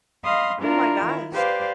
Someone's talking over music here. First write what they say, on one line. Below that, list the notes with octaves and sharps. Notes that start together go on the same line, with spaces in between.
Oh my gosh.
D#5 F5 B5 C6 D#6
D4 E4 F4 A#4 A#5
D#3 E4
G4 B4 C5 D5 F5